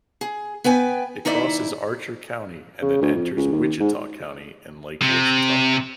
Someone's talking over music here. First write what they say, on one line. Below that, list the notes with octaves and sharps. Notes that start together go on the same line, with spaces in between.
It crosses Archer County and then enters Wichita County and Lake Wichita.
G#4
B3 B4 G5 G#5
D#2 D#4 E4 D5 E5
C#3
D2
F2
C#2
D#2
G#2
C3